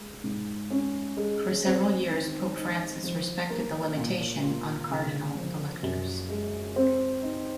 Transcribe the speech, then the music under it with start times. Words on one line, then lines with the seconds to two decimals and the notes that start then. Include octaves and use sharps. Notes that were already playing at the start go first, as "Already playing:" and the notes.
For several years Pope Francis respected the limitation on cardinal electors.
Already playing: G#3
0.24 G#2
0.70 C#4
1.17 G#3
1.64 C4
2.10 D#3
2.57 D#4
3.04 F3
3.50 A#3
3.97 A#2
4.43 F4
4.90 C#3
5.37 F3
5.83 F#2
6.30 G#3
6.76 C4
7.23 D#4